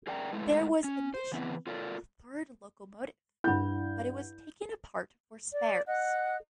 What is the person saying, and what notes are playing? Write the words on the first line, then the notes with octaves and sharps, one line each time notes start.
There was initially a third locomotive but it was taken apart for spares.
G#4 A#4 D5 G5 A#5
G#3 A3 E4 B4
C#4
C5
C#3 E3 B3 C4 E4 B4
F4 A4 A#4 D5
G2 E4 F#5 B5 G6
D5
D#5 F#5 F#6